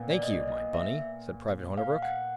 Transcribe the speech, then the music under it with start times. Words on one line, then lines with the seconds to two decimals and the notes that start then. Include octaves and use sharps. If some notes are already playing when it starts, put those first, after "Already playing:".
"Thank you, my bunny," said Private Hornabrook.
Already playing: A#2 B3
0.10 D5
0.23 D#5
0.48 D#5
0.74 E5
1.78 F5
2.03 F#5